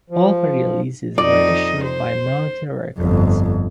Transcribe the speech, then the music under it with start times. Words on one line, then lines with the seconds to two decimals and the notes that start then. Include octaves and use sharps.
All three releases were issued by Mountain Records.
0.10 F3
1.18 F2 D#4 D5 D#5
1.84 C5
2.98 G1 F2